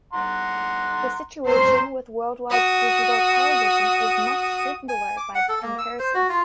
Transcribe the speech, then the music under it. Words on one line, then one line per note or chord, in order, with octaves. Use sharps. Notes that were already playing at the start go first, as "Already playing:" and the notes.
The situation with worldwide digital television is much simpler by comparison.
F#5 A#5 C6
C4 C#4 C5 A#5
F#4 D#6
G#5
D6
F#5
A4
A#3
E6
C5
F#4
F4